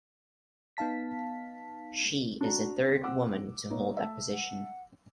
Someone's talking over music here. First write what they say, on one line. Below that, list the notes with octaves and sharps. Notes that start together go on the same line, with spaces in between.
She is the third woman to hold that position.
B3 D#4 F5 A5 B6
D4 F#4 A#5
C4
F#5 D6 E6
A#3 B3 D#4 C#5
A3 E5 A5
F#5